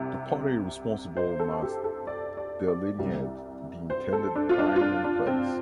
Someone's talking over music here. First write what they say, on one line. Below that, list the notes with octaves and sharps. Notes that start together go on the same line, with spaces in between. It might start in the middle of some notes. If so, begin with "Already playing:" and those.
The party responsible must delineate the intended time and place.
Already playing: C2 C3
C5
A4
G4
A4
D5
D5
D5
C2 C3 G3
C5
A4
D4
F4
D4
F4
D4
D4
C4